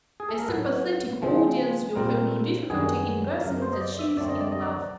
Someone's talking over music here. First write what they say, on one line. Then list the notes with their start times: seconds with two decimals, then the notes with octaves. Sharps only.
A sympathetic audience will have no difficulty in guessing that she is in love.
0.20 G#4
0.29 A4
0.39 A#4
0.48 A2 F#3 B3 B4
1.22 C#3 F3 G#3 C4
1.96 A#2 G3 C4 A#4
2.70 F#2 D#3 G3 B3 G#4
3.44 F#2 C#3 F#3 B3 A#4
3.62 C5
3.73 D#5
3.81 D5
3.99 E5
4.17 F#2 D3 F#3 A3 C4 D5
4.29 D#5
4.41 D5
4.52 D#5
4.62 D5